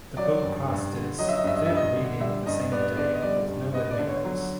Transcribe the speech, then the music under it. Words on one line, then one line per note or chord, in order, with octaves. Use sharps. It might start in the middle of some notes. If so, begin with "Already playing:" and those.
The Bill passed its third reading the same day with no amendments.
F#3 D5
G2
G2
D3
F#3 D#5
E5
D#5
G2 E5
D#5
G2 E5
D#5
D3
G3 E5
G2 D#5
B3 D5
D3 D5
D#5
G3 D5
G2
B3 D#5
D5
D3
C#5
F#3